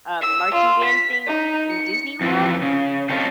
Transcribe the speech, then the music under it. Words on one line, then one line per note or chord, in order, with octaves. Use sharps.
uh, marching band thing in Disney World.
E6
F4
B6
D#4
C#7
F2 E3 F3
C#3
C4 A4 C5 C#5 D#5 F5